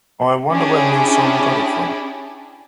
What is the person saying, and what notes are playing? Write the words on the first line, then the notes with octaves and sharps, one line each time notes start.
I wonder where Neil Simon got it from?
C#4 D4 E4 G4 G#4